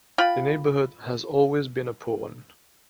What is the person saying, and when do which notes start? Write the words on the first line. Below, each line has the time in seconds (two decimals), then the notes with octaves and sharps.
The neighborhood has always been a poor one.
0.18 F4 G5 B5